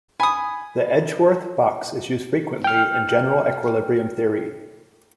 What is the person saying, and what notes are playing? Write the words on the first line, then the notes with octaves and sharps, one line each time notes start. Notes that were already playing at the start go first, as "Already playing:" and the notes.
The Edgeworth box is used frequently in general equilibrium theory.
G#5 B5 D#6
G5 F6